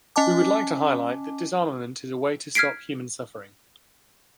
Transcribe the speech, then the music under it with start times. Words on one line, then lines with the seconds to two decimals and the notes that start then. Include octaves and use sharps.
We would like to highlight that disarmament is a way to stop human suffering.
0.16 C#4 D#5 G#5 A5 D6
2.55 F6 G#6 B6 C7 D7